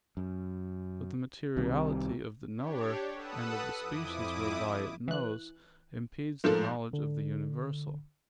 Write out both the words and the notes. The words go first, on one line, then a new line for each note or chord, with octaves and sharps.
But the materiality of the knower, and of the species whereby it knows, impedes the knowledge of the universal.
F#2
C2 D#3 G3 C4
D4 G4 C#5
A4 B4 F#5 D#6 E6 F#6
F2 E4 D6 D#6
E3 F#6
G#2 F3 A#3 A4
D3